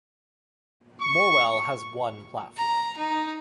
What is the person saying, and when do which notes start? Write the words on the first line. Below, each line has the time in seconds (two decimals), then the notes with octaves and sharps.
Morwell has one platform.
1.00 C#6
2.57 A#5
2.97 D#4